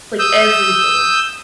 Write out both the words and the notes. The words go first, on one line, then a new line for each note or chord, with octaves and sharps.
Like, everything.
D#6 E6 G6